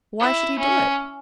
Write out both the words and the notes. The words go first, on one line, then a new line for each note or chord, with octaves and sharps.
Why should he do it?
E4
C#4